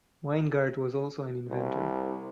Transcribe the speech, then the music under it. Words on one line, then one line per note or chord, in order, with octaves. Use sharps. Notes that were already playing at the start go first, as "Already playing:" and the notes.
Weingart was also an inventor.
C2